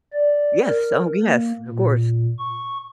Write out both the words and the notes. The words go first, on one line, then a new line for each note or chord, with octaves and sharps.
Yes. Oh, yes. Of course.
D5
A#4
A#3
A#2
C#6